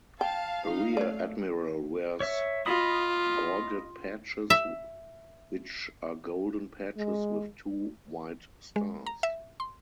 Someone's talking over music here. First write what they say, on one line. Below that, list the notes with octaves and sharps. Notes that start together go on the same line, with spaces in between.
A rear admiral wears gorget patches which are golden patches with two white stars.
F5 G5 A5
D#4
A3 C#5 D5
C#5 E5
F4 D#5 B5 D#6
E5
G#3
G#3
A#5
E5
C6